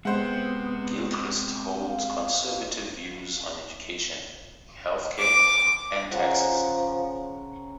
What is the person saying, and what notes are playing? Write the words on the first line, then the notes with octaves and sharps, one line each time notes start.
Gilchrist holds conservative views on education, health care, and taxes.
G#3 B3 C4 G4 C5 F#5
F5
D6
C#3 F3 A#4 F#5